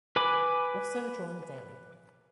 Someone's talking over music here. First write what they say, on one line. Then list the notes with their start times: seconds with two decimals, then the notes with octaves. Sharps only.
Also drawn daily.
0.16 B4 G#5 B5 D6